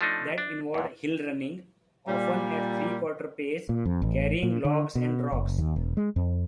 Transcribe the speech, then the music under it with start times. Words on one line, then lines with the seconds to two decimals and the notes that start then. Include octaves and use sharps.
That involved hill running, often at three-quarter pace, carrying logs and rocks.
0.01 F3 A3 D4 D#4
0.38 D4
0.74 E2 A#2
2.08 A#2 G3
3.69 A#2
3.85 F2
4.02 A1
4.43 A#2
4.65 D3
4.95 B2
5.32 F#1
5.58 D#2
5.76 E1
5.97 G#3
6.16 F2